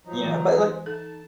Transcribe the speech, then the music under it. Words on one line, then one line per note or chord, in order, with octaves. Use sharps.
Yeah, but like
F3 F#3 D#4
E3 A3
C5
G#3
D#4 A4 A5